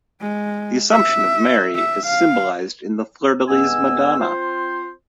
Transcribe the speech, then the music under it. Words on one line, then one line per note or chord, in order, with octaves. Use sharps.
The Assumption of Mary is symbolised in the Fleur-de-lys Madonna.
G#3
E5
E5
F5
G2 G#3 B3 G#5 E6
C4 F4 C5